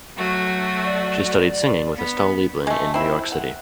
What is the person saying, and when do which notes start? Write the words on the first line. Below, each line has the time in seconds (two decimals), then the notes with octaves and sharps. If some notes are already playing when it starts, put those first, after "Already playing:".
She studied singing with Estelle Liebling in New York City.
0.15 F#3 A3 F#4
0.85 D5
1.95 B3
2.67 G#3 A3
2.94 C4 E4
3.32 F#5